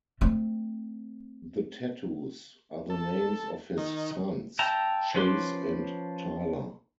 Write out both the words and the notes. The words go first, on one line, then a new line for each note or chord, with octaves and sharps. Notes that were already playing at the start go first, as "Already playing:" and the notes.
The tattoos are the names of his sons, "Chase" and "Tyler".
A3 C4
A4
D#3
E5 G5 A5 A#5
F3 C#4 B4 C6 D6